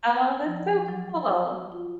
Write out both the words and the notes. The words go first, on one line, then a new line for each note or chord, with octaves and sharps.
Oh, that's so cool.
F3
F#3
F#3
F#4
F4